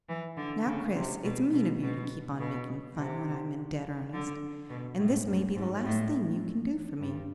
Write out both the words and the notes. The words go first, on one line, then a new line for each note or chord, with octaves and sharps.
"Now, Chris, it's mean of you to keep on making fun when I'm in dead earnest; and this may be the last thing you can do for me."
E3
D3
C#3
C3
B2
B2
B2
B2
C3
D3
B2
A2
F#2
G#2
A2
G2